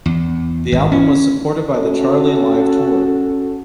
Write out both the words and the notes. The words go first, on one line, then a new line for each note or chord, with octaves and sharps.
The album was supported by the Charli Live Tour.
E2
G#1
C#4
C#4 F#4 A4